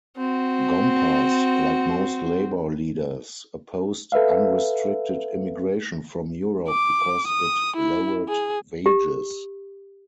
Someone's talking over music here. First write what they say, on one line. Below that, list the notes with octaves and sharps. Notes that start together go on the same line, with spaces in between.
Gompers, like most labor leaders, opposed unrestricted immigration from Europe because it lowered wages.
C4 F#4
A4 B4 E5 F5
D6
D#6
E4
G#4
G4